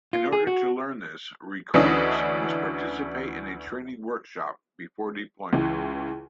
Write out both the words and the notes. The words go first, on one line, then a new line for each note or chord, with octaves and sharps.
In order to learn this 'recruits' must participate in a training workshop before deployment.
F4
G#4
F#4
D2 E3 C#4 D4 E4 D#5
C#2 E3